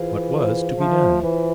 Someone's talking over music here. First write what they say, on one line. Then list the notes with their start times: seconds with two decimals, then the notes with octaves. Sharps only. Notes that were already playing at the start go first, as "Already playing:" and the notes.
What was to be done?
Already playing: E3 F4 G#4 C5 F5
0.33 F4 G#4 C5 F5
0.78 F3 F4 C5 E5
1.23 E3 F4 C5 E5